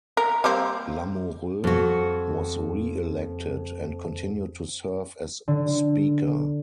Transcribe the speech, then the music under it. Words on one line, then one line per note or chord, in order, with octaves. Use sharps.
Lamoureux was re-elected and continued to serve as Speaker.
A#4
G3 A#3 C4
F2 F#4
D3